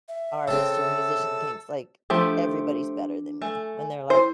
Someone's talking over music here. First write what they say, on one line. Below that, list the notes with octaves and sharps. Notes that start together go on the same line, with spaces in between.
artist or musician thinks, like, "Everybody's better than me." When they're like
E5
C#3 C4 A4 E6
E5
F3 A3 D4 G4
A3 G#5
E4 C5